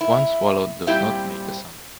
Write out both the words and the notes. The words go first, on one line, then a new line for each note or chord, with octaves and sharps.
One swallow does not make a summer.
E4
A#2 G3 C4 E4 G4